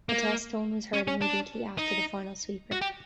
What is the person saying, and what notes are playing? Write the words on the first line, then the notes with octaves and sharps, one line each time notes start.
A test tone was heard immediately after the final sweeper.
A#3
C#4
C#4
D4
D#4
F#4
G4